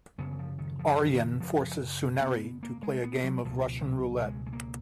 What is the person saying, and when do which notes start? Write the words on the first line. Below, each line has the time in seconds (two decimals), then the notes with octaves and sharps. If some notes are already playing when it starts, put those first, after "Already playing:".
Aryan forces Sunehri to play a game of Russian roulette.
0.18 F#2 C#3 B3
0.32 D#3
0.39 F3
0.58 D#3
0.79 F3
1.00 D#3
1.07 F3
1.14 D#3
1.40 F3
2.22 B3
2.63 A#3
2.83 G#3
3.04 B3
3.24 F#3
3.45 C#2 B2 F3
3.85 F#3
4.26 G#3
4.46 G#3
4.53 A#3